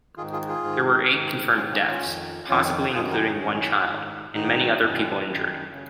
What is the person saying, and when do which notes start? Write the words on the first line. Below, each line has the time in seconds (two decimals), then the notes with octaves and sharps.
There were eight confirmed deaths, possibly including one child, and many other people injured.
0.17 D#3 F4 G#4
0.21 G#2
0.33 F4 G#4
0.49 F4 G#4
0.64 G#2 D#3
1.10 G#2 D#3
1.56 G#2 C#4 F4
1.60 D#3
1.71 C#4 F4
1.87 C#4 F4
2.03 F2 D#3
2.49 F2 D#3 C#4 F4
2.95 F#2 D#3 F4 G#4
3.11 F#4 A#4
3.26 D#4
3.41 F#2 D#3 C#4
3.88 G#2 D#3
4.34 G#2 D#3 D#4
4.80 F#2 D#3
5.27 F#2 D#3
5.73 C#3